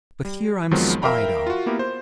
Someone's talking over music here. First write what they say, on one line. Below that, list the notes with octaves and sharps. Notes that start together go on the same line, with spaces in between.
But here I'm spied on.
G3
F2 D#3 F3 F#3 G#3 B3
A#4 E5 F5 G5 A#5 B5
F4 F#4
A#3 B3 E4 G4 A#4
C5